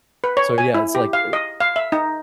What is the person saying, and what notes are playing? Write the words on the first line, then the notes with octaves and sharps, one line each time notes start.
so, yeah, it's, like, eh,
B4
C#5
G#5
E4
G4
F5
D#5
F5
E5
D#4